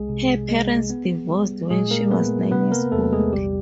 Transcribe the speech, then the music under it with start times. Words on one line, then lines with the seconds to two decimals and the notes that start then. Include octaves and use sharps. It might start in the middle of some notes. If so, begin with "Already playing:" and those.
Her parents divorced when she was nine years old.
Already playing: C2 G#3 G#4
0.09 C3
0.49 G#3
0.90 B3
1.30 G3
1.70 A#2 G#3 G#4
1.91 A#3 A#4
2.11 A3 B3 B4
2.51 C3 B3 B4
2.71 A#3 A#4
2.92 E2 A3 A4
3.13 G#3 G#4
3.33 A#1 G3 G4